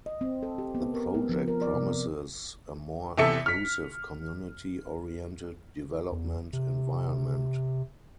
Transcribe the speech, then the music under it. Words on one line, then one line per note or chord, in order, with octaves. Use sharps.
The project promises a more inclusive, community-oriented development environment.
D#5
C4
A4
G4
B3
A#4
B3
F3
A#4
D5
C3
C4
E2 C3 A4 E5 C#7
F6 B6
E2
C3